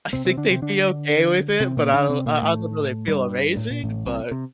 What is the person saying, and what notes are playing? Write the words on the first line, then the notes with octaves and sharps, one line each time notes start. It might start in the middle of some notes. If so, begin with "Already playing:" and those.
I'd think they'd be okay with it, but I don't I I don't know if they'd feel amazing, but
C3 C4
C3 C4
D3 D4
C3 C4
D3 D4
C3 C4
A#2 A#3
D3 D4
C3 C4
A#2 A#3
A2 A3
G2 G3
A2
A#2
A1 A2
C2 C3
C3